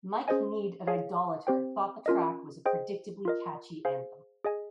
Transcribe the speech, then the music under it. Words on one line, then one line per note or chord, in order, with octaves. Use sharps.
Mike Nied at "Idolator" thought the track was "a predictably catchy anthem".
C#4 G#4 C5 D#5 G#5
G#4 C#5 F5 G#5
C4 G4 C5 G5
C#4 F4 A#4 D#5
G#4 C5 D#5 G5
F4 A#4 D#5
G#4 C5 F5 G#5
G#4 D#5 G#5